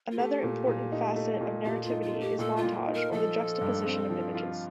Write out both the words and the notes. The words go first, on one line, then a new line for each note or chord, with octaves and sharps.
Another important facet of narrativity is montage, or the juxtaposition of images.
F4
A3 G4
A#2
A#2
D#4
A3
A#2
A#2 G4
F4
D#4
F4
A3
G4
A#2 A4
F4
A#2
D#4
A#4
F3 A4
F4
G2
C4
F3
F4